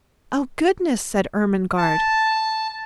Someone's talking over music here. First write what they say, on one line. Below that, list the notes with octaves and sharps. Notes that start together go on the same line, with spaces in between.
"Oh, goodness!" said Ermengarde.
A5